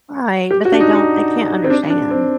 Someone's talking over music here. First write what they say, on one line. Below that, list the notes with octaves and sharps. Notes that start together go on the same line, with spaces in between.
Right, but they don't they can't understand.
G4
F#4
D4
D#4
D#4
C4
D4
D4
C4